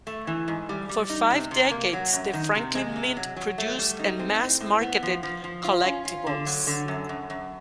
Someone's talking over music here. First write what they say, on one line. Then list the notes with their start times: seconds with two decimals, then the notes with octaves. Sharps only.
For five decades The Franklin Mint produced and mass marketed "collectibles".
0.07 A3
0.27 E3
0.48 G#2
0.69 G3
0.89 G3
1.09 D#4
1.30 C3
1.51 C3
1.71 A#3
1.93 F#3
2.13 F#2
2.33 D#3
2.55 C3
2.75 G#3
2.96 C3
3.17 F#3
3.36 F#3
3.58 A3
3.79 G3
3.99 D#4
4.19 C4
4.41 A2
4.60 A2
4.81 B3
5.03 F3
5.23 F3
5.44 F3
5.64 F4
5.85 C#4
6.05 F4
6.27 D3
6.46 F#3
6.67 D3
6.88 F#2
7.09 F#2
7.30 F#2